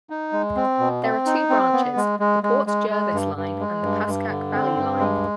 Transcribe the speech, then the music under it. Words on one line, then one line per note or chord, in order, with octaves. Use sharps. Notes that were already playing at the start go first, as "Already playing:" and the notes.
There are two branches: the Port Jervis Line and the Pascack Valley Line.
D#4
G#3
C4
B2
C4
D#4
C4
B3
G#3
G#3
G#3
G#3
G#3
G2
G2
G#3
G2
G2
D3
C4
G2
G#3